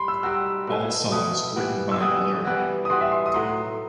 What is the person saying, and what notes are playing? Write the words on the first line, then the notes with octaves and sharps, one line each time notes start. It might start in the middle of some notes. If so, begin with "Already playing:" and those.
All songs written by Blur.
Already playing: G3 B5 C6
E6
G3 D#4 F#4 E6
B2 A3 E4
B2 A3 E4 D#6
E3 G3 B3
E6
E3 G3 B3 D#6
E3 G3 B3 F#4
D#6
E3 G3 B3 F#4 C6
E5
C6
D#6
A2 F#3 B3 D#4 C6